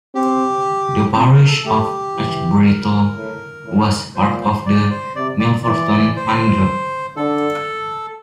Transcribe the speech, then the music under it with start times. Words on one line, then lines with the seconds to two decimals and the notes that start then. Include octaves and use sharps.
The parish of Ashbrittle was part of the Milverton Hundred.
0.15 C4 G4
1.15 C4 C5
1.32 A#4
1.48 A4
1.65 A3 G4
2.15 E3
2.65 A#4
3.15 A2
3.65 A2
4.15 A#2 C5
4.40 C5
4.66 D5
4.90 C5
5.16 C3 D5
5.39 D5
5.63 E3 D5
6.16 C5
7.16 D3 A4